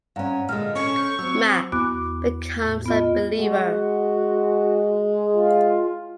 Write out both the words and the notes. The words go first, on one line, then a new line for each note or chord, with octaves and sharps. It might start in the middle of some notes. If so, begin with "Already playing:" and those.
Mac, becomes a Believer.
G2 C#4 F5 F#5 A#5
A#2 D3 G#3 F6
C#4 A4 C#6
G6
F#3 C4 E6
E2 B3 F#4 D6 F#6
A2
B3 F4 D#5
G#3 F#4
F4